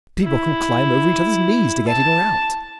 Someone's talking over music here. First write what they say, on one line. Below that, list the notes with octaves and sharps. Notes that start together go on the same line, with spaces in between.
People can climb over each other's knees to get in or out.
E4
A5